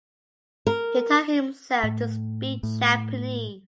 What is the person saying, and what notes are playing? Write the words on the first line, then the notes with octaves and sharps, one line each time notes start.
He taught himself to speak Japanese.
A#4
A2
A2